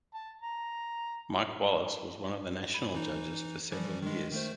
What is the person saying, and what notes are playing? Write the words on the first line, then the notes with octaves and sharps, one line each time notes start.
Mike Wallace was one of the national judges for several years.
A5
A#5
B5
E3 D#4
E3 F3 G3
D#3 G#3
D#3 A3 C5